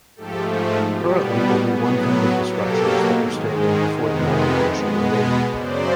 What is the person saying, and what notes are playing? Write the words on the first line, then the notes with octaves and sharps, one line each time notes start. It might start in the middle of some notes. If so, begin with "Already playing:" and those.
Currently, only one third of the structures that were standing before the occupation remain.
G#2 F3 A3 G4 A4
B2 G3 B3 G4
A2 F#3 B3 G#4
B2 F#3 A#3 G4 A4
G#2 D#3 G#3
F2 C3 D#3 G#3 B3
B2 G#3 B3
F#2 C#3 F#3 C5 D5